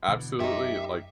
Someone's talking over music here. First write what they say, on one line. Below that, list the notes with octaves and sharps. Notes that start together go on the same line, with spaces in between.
absolutely like
B2 D3 E3
F#2 D#4 G4 E5